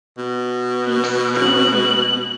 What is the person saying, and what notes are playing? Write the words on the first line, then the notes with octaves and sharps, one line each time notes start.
It’s true, then!
B2
F#7